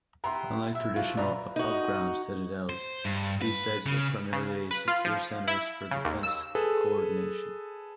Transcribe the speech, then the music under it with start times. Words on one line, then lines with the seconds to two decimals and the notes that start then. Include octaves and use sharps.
Unlike traditional above-ground citadels, these sites are primarily secure centres for defence co-ordination.
0.24 B3 E4 G4 A#5 C6
0.75 E4 E5
0.96 C3 F3 F4 F#4
1.17 B2 E3 B4 D5 A#5
1.56 D#4 F#4 D#5
2.69 C5
3.05 G2
3.42 B4
3.86 C#3
4.32 C#3
4.71 B4
4.88 F4
5.05 F3
5.48 E4
5.91 C#3
6.05 D#2
6.23 E6
6.55 G#4 A4 B4